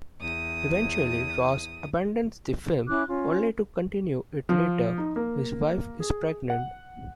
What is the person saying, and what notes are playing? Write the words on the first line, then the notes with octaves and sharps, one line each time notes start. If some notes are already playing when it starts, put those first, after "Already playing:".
Eventually Ross abandons the film, only to continue it later: his wife is pregnant.
E2 D#6
C#4 E4 D6 F#6
C#4 F4
F3
D#4
A#3
G#4
F#5